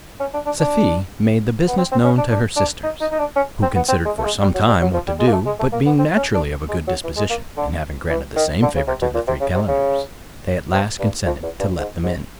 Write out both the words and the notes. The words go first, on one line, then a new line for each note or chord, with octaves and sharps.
Safie made the business known to her sisters, who considered for some time what to do: but being naturally of a good disposition, and having granted the same favour to the three calenders, they at last consented to let them in.
C#4
D4
D4
D4
B3
C4
C4
C#4
D4
D4
D4
D#4
D#4
D#4
D4
C#4
C4
B3
C4
G#3
A3
G#3
G3
F#3
G3
F#3
F3
G3
G#3
A#3
A3
G#3
A3
A#3
B3
C4
C#4
D4
G#3
F#3
E3
G#3
A#3
D3
E3
D#3
D3
C#3
C3
B2
A#2
C3
C#3
C3
C#3
C3
G2
F2
E2
G2
G#2
G#2